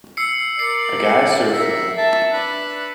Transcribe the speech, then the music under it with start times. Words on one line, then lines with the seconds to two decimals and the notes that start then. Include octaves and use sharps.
A guy surfing.
0.17 E6 C7 C#7
0.59 A#4 D5 C7 C#7
1.52 A#4 E5
1.97 E5 A5
2.33 D4 B4